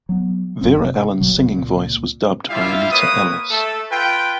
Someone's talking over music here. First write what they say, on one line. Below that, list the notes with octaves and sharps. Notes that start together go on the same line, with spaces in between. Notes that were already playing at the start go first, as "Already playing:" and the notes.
Vera-Ellen's singing voice was dubbed by Anita Ellis.
F#3 B3
F#1 F#3 A#3 C4
C3
G1 B2 F#3
C#2 A#2
G3 E4 F4 E5 F5
A#3 B4 C#5 D#6
A3 A4
F4 B4 G5